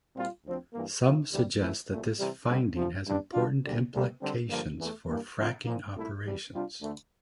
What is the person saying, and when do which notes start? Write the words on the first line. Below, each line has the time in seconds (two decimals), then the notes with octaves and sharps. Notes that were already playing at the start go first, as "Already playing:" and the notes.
Some suggest that this finding has important implications for fracking operations.
0.16 A#2 G3 C4 F4
0.45 D2 D3 F3 C4
0.73 G2 E3 A#3
1.03 A2 F3 A#3 F4
1.31 D2 C3 E3 G3
1.60 F2 E3 A3 E4
1.90 C2 A#2 A3
2.19 C3 E3 G3
2.47 D3 G3 C4
2.76 D2 C3 F3
3.05 G2 E3 G3 D4
3.34 D3 G3 D4 F4
3.63 D2 D3 G3
3.92 D2 D3 G3 A#3
4.21 D3 G3 C4
4.49 G2 D3 F3 A#3 F4
4.78 E2 E3 A3
5.08 G2 E3 A#3
5.37 D3 F3 C4 F4
5.65 A#2 F3 A#3
5.94 C2 A#2 A3 E4
6.23 E2 C3 G3
6.52 C3 G3 D4 F4
6.81 D2 D3 A3